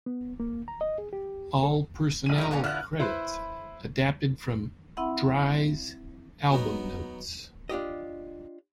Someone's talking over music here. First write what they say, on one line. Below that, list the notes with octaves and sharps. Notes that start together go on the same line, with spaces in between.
All personnel credits adapted from "Dry"s album notes.
B3
A#3
A#5
D#5
G#4
G4
A4
A#1 D#7
E4 A#4
D3 E3 A#3 C#4
D3 E4 F4 F6 F#6
E4 B4 C5 E5
C4 E4 E5 F#5 B5
F#3 B3 D#4
D4 F4 G4 D#5